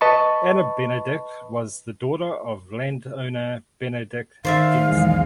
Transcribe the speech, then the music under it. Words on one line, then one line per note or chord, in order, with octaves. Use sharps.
Anna Benedicte was the daughter of landowner Benedict Jenssen.
B4 D#5 A5 B5 C#6
D#3 C5 D5 E5 F5
B1 E2 G#3